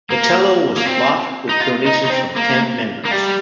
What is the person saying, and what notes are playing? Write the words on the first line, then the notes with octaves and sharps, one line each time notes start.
The cello was bought with donations from camp members.
A#3
A#3
C4
D#4
F4
D#4
D#4
C4
A#3
A#3
G3